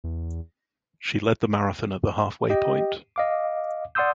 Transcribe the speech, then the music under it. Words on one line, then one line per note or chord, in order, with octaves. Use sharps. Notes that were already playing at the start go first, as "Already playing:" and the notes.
She led the marathon at the halfway point.
E2
G4 D#5 G5
D#5 F5 D6
D5 F#5 C6 D#6 E6 G6